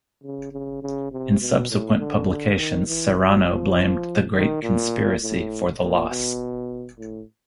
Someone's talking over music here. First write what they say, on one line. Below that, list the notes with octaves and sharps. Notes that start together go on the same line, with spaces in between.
In subsequent publications Serrano blamed "the Great Conspiracy" for the loss.
C#3
C#3
C#3
C3
B2
A2
D3
D#3
E3
F#3
F3
D#3
A#2
A2
A#2
B2
A2